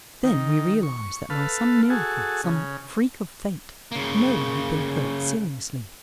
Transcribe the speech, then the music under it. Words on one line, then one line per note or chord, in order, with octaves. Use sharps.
Then we realized that by some miracle, some freak of fate, no one had been hurt seriously.
D#3
C#6
A4 B4 F5
F#4 G#4 A4
C#3
C#3 A#3